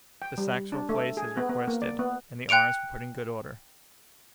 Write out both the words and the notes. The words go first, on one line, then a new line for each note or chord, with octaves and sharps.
The sacks were placed as requested, and the arms were put in good order.
G5
G3
D4
A3
G#4
B3
B3
A#3
D5
B3
G5 F#6 C#7 D7 F7